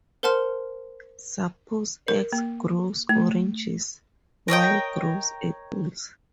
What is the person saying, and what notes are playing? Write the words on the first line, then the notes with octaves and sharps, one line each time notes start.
Suppose X grows oranges, Y grows apples.
A#4 C5 F#5 A5 C6 F6
A#4
A#3
A3
A#4 C#5 D#5 G5